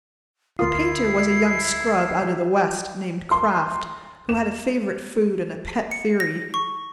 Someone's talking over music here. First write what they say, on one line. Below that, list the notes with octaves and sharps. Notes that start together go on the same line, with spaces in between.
The painter was a young scrub out of the West named Kraft, who had a favourite food and a pet theory.
D2 E4 F4 A#4 D#6 C7
C6
E7
C#7
A#6
C#6